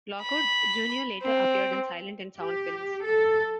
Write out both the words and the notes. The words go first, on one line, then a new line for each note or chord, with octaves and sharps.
Lockwood, Junior later appeared in silent and sound films.
B5
C4
G4
A4